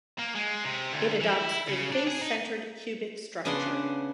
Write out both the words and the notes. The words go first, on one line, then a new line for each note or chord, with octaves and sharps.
It adopts a face-centered cubic structure.
A#3
G#3
C3
D2
E3
E4
C#3
D4
G#4
D#4
C#3 B3 D4 D5 F#5 C6